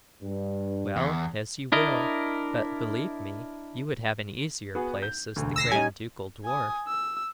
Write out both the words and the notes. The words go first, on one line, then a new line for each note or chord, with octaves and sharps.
'Well, as you will; but believe me, you would have an easier place as the grand ducal dwarf.'
G2
E2
D4 E4 A#4 D#5
B3 F#4 G#4
G6
E1 D2
E6 A#6 C7
G3 C#4 D#4 G#5
G#5 D#6
E6